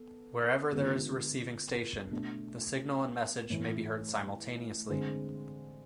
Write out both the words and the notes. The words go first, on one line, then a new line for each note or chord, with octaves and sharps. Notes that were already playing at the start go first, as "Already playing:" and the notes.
Wherever there is a receiving station the signal and message may be heard simultaneously.
Already playing: B3 A4
D3 G#3 B3 F4
B2 A3 D4
A2 E3 A3
D3 G#3 C4